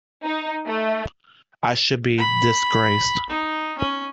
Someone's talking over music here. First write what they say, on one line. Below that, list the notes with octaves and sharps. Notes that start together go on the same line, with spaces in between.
I should be disgraced.
D#4
A3
B5
D#4
C#4